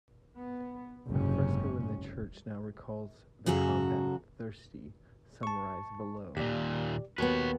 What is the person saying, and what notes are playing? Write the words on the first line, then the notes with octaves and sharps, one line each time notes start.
A fresco in the church now recalls the Combat of the Thirty summarized below.
B3
F#1 G#2 C3 C#4
F#2 C#3 F#4 A4 A#5
A5 C#6
D#2 A#2 G4 D5
D#2 B3 F#4 B4 C#5